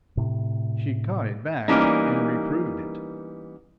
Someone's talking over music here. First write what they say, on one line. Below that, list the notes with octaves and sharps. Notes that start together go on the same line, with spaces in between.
She caught it back and reproved it.
A2 C3
E3 G3 A#3 B3 C#4 D#4